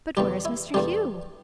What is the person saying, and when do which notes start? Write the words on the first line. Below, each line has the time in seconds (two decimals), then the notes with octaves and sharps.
"But where is Mr. Hugh?"
0.17 E2 D3 G3 G4
0.45 E4
0.74 E2 D3 G3 G4